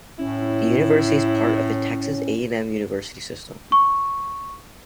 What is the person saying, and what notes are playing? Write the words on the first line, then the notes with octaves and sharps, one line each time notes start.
The university is part of the Texas A and M University System.
A2 C#4 E4
C#6